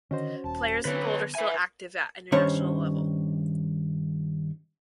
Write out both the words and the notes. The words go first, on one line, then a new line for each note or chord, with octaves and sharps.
Players in bold are still active at international level.
D3 D#3 C#4 F#4 C5 D#5
D#1 A5
D3 F#3 B3 B4 C#5
B4 E5 G#5
G2 D#3 C#4 C5 C#5